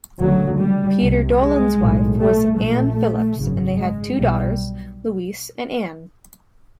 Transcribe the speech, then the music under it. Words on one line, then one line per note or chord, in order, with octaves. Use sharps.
Peter Dollond's wife was Ann Phillips and they had two daughters, Louise and Anne.
D2 C#3 F#3
G3
C2 C3
G#3
B1 A2
A3
A#1 A#2 A3
G#1 F#2 C#3
G#3
B1 B2 G3